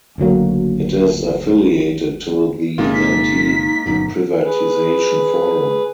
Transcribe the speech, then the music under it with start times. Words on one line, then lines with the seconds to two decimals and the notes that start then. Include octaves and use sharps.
It is affiliated to the Anti-Privatisation Forum.
0.18 F#1 D2 F#3 A#3
2.78 G1 C3 G#3 A#3 C#4 F4
2.94 D#4 B6
3.86 G1 F#2 B2 D#4
4.43 G#4 B4